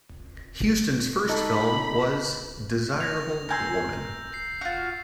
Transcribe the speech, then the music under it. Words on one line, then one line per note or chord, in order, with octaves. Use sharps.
Huston's first film was "Desirable Woman".
D#4 A4 B5
D#4 A#6 F7
A#4 G#5 C6 E6 G6 A#6
C7
F4 F#4